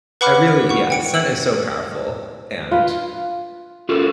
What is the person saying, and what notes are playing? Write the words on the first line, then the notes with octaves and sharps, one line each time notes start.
I really yeah, scent is so powerful and
B4 F#5 B5 D6 F6 F#6
F#5 C#6
G5 C#7 D7
E6 F#7
F4 B4
F4 F#4 A4